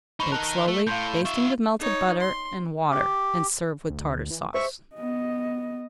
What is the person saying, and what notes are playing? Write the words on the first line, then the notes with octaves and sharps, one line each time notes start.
Bake slowly, basting with melted butter and water, and serve with Tartar Sauce.
D#4 C5 B5 C#6
D#4 A#4 A5 F#6
A3
A2 F5 C6 G6
F4 E5 C#6
D#4 C#5
C6
G4
D2
E3
G#3 C5 E5 C#6
B3 D#5